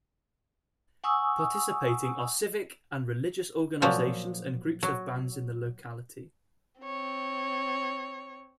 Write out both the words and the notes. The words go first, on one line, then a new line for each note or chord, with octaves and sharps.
Participating are civic and religious organizations and groups of bands in the locality.
F#5 G#5 C#6 D#6 E6
A#2 F3 F#3
F#3
C4 C#5